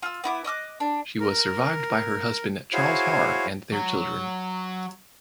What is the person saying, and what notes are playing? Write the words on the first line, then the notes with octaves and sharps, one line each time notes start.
She was survived by her husband Charles Haar and their children.
F4 E6
B3 E4 D6
D#5 D6 E6 F#6
D4
A#4
E4 F#4 G#4 C5 C#5 F5
F#3